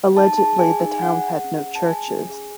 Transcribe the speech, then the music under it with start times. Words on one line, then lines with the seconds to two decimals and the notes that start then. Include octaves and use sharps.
Allegedly, the town had no churches.
0.17 D#4 A5
0.38 G#4 A5
0.59 G#4 G#5
0.80 D#4 G#5
0.94 G#5
1.02 G#4 F#5
1.23 G#4
1.44 C#4
1.65 G#4
1.75 A5
1.86 G#4 G#5
2.08 C#4
2.30 G#4